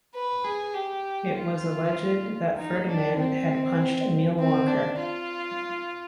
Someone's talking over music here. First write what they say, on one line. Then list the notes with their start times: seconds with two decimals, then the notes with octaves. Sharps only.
It was alleged that Ferdinand had punched Emile Walker.
0.14 B4
0.45 G#4
0.74 G4
1.35 F4
2.57 D#4
2.87 D4
3.17 C4
4.39 C4
4.68 D4
4.99 F4